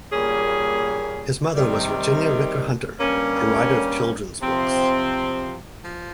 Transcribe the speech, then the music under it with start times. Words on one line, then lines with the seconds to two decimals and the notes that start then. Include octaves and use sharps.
His mother was Virginia Ricker Hunter, a writer of children's books.
0.12 A#2 G3 A#3 C#4 G#4
1.55 C3 D#3 G3
2.98 G2 G3 A#3 C#4
4.41 C3 F3 C4
5.84 F3